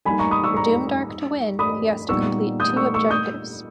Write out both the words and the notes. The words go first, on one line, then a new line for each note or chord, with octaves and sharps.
For Doomdark to win, he has to complete two objectives.
G3 A#3 D#4 G#5 B5
A#5 C#6
B5 D#6
C#6 E6
A#5 C#6
B5 D#6
A#2 G3 B3 D#4 C#6 E6
D#6 G6
C#6 E6
C#6 E6
D#6 G6